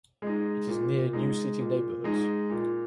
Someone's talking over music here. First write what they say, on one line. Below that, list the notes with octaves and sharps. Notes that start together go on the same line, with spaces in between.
It is near new city neighborhoods.
G#3 D#4
A#2
G#3 D#4
A#2
G#3 D#4
A#2